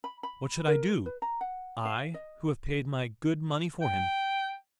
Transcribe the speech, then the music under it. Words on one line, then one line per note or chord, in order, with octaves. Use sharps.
"What should I do--I, who have paid my good money for him?"
B5
B5
A#4
B4
A#5
F#5
F5
D#5
G5